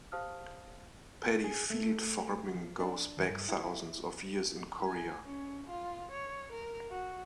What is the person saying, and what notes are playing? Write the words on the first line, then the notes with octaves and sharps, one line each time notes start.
Paddy field farming goes back thousands of years in Korea.
G4 C5 F5 A5 D#6 F6
G#4
A3
F3
D4
D#2
G2
E4
G#5
C#4
F4
C#5
A#4
F#4